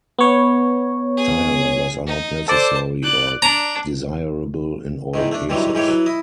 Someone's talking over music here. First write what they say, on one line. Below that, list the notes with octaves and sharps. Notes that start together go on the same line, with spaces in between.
Tire levers are not necessary or desirable in all cases.
B3 C#5
G#4
D#4
A4 C5 D5 A5
D5 F#6
D4 A#5
E2 G#2 D#3
A3 D4
G2 C3 D#3 E3 F#3
G#2 E3 G4 C#5
E3 F#3
E4 D#5